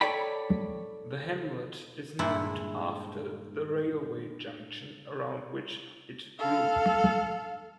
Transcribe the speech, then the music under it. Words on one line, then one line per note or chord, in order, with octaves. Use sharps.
The hamlet is named after the railway junction around which it grew.
A4 C#5 D5 G5 B5
G2 A#2 G#3 E4
A4 F5